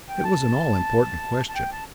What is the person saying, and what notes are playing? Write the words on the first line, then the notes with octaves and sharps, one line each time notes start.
It was an all-important question.
G5
A5
A5
G5
A5